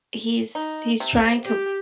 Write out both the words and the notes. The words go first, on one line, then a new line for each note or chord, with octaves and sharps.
he's he's trying to
D#4
C3
G4